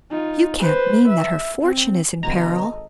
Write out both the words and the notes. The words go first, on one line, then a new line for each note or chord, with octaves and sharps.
"You can't mean that her fortune is in peril?"
D#4 F4
B4 C5
E5
C4
G#1 B2 D3 B3 A4 D#5 A#5